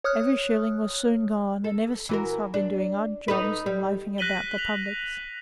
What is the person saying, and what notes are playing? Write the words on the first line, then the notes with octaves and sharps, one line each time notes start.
Every shilling was soon gone, and eversince I've been doing odd jobs and loafing about the publics.
C#5 D#6 F6 F#6
A4
E3 F#4 A#4
D4
D#4 A4 B4
G3
F#6 A#6 B6 D#7 F#7 G7
F7